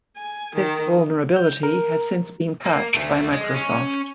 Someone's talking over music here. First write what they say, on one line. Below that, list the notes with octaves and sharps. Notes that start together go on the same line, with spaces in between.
This vulnerability has since been patched by Microsoft.
G#5
D#3
G6
A#4
A#3
D2 A3
G#3
C#4